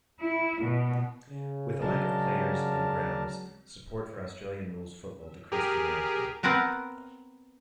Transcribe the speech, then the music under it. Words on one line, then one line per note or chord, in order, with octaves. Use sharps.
With a lack of players, and grounds, support for Australian rules football decreased dramatically.
E4
B2
C#3
F#3 G#3 D4 A#4 A5
G4 G#4 A#4
B3 C4 A#4 B4 F#5